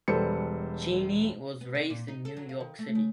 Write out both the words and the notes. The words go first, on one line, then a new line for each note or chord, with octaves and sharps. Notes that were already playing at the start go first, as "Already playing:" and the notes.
Cheney was raised in New York City.
E1 G3 A4 B4 C5 C#7
B3
C3
A#2
D#4
A4
F#3
F5
D#3
A3
C#3